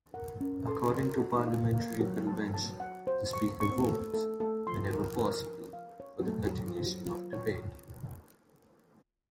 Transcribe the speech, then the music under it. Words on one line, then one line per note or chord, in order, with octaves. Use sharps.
According to parliamentary convention, the Speaker votes, whenever possible, for the continuation of debate.
A#4 F#5
C#4 A#4
A4 C6
A#4 C6
A4
F#4 A#4
D#4
F4 F5
A#3 F5
F3
F#3 A#4
A5
A5
F#5
C5
C#6
C#4 C#6
C4
A#3
A3 A4
A3 A4
A3 A4
F3 C6
A#4
A#4
A#4
F5
C#5
F#3
A3 A4
F#3
A4
F3
F3 C5
F#3
F4
C#5